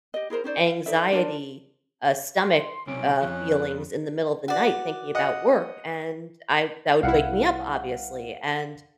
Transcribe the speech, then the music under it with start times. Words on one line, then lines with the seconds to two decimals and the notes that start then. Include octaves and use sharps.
anxiety, uh, stomach, uh, feelings in the middle of the night thinking about work, and I that would wake me up, obviously, and
0.14 G4 D#5
0.30 E4 G#4 A#4 C5
0.44 C#4 D#4 C5 D5
0.66 F5
0.86 D#4 A4 D5 E5
1.12 D4 F4 A#4 D5
2.37 C6
2.87 B1 C3 C#4 D7
3.22 F2 F3 F#6
4.48 F#4 D5
5.15 D#5 F#5
7.03 C2 E4 F5 F#5